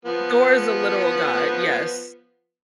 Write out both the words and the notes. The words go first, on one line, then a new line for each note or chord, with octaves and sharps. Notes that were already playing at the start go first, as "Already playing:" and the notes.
Thor is a literal god, yes.
F3 B3